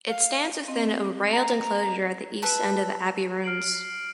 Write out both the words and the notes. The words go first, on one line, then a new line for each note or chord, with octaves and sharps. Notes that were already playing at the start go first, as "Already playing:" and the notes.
It stands within a railed enclosure at the east end of the abbey ruins.
F5
C4 D#5
A#5
B4 E5 A5 B5
F6 C7 D7 F#7